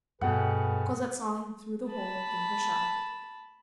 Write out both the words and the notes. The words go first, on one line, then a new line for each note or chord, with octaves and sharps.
Cosette saw him through the hole in her shutter.
G2 B2 G#4 A4 B4 F#5 G5
A5 B5